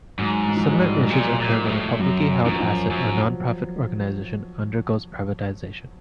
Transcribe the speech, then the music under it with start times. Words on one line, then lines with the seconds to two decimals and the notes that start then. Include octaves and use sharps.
Similar issues occur when a publicly held asset or non-profit organization undergoes privatization.
0.19 G#2 F#3
0.49 F#3
0.57 F3
0.65 F#3
0.73 G#3
0.79 G3
1.10 A#2
1.40 A#2
1.65 G#2
1.70 A2
1.99 F#2 F#3
2.45 F#2 F3
2.52 F#3
2.60 F3
2.90 F#2 F#3